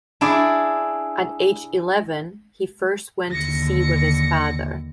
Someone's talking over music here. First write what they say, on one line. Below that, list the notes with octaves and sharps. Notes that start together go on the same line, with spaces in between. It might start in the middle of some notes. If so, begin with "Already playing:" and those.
At age eleven he first went to sea with his father.
D4 E4 G#4 D5
D#2 D3 A#6 C#7